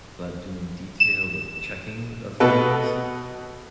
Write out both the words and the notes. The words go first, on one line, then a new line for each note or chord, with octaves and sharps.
But doing detailed checking of things,
E7
B2 A4 B4